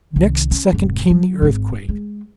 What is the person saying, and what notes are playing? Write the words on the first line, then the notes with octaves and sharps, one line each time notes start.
Next second came the earthquake.
C2 D#3
C#4
F1 G#2
F#3
G#1 G#2
G#3